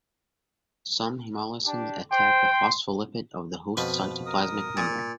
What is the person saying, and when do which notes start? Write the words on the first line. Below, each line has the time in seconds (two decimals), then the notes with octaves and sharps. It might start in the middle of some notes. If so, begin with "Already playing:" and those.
Some hemolysins attack the phospholipid of the host cytoplasmic membrane.
1.66 D4 G4 A5
2.12 C5 G5 C6
2.51 C6
3.77 F2 B2 F3 B4
4.26 A#4 D#6
4.77 A#2